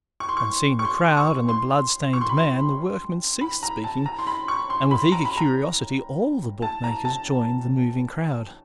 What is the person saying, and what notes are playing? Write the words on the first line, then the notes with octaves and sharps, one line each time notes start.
On seeing the crowd and the bloodstained man the workman ceased speaking, and with eager curiosity all the bootmakers joined the moving crowd.
C#6
C6
C#6
C#6
C6
C#6
C6
C#6
C6
B5
C6
B5
A#5
A5
A#5
C6
B5
C#6
C6
B5
A#5
B5
A#5
A5
A#5
A5